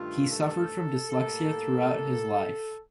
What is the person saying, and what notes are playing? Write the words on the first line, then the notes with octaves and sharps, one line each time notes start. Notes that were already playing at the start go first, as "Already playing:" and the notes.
He suffered from dyslexia throughout his life.
Already playing: G2 D#3 A3 F4
A4
A2 G3 A#3 A4